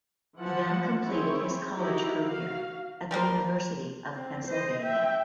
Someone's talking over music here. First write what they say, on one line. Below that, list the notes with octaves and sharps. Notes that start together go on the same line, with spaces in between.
He then completed his college career at the University of Pennsylvania.
E3 F3 F#5 A5
C4 E4 G#4 C#5
D#4 E4 F#4 G4
F#4 F5
F3 G3 A#3 C5
C4
C5 D#5
E5 G5